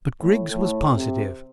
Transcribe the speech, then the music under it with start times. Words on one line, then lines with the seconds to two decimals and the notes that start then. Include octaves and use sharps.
But Griggs was positive.
0.20 A2
0.50 A2
0.93 C3